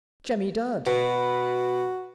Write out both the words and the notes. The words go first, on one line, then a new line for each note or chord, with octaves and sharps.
"Jemmy Dadd."
B2 F#4 B4